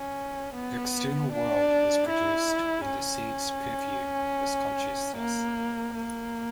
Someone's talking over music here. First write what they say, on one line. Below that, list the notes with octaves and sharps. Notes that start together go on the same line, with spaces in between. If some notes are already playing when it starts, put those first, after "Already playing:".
The external world is produced when the seeds "perfume" this consciousness.
Already playing: C#4
B3
D4
E4
C#4
A#3
A#3